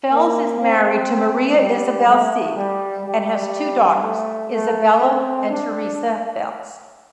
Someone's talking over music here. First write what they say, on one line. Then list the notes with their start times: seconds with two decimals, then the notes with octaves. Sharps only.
Fels is married to Maria-Isabel Cid, and has two daughters, Isabella and Teresa Fels.
0.12 A#3
0.61 C4
1.59 G3
2.08 A3
2.56 G3
3.06 G3
4.03 A3
4.52 A3
5.02 C4
5.50 D4